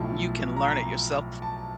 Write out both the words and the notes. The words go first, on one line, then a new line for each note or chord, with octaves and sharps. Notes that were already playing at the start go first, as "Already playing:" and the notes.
you can learn it yourself.
Already playing: B1 A2 F3 A5
A#5
A5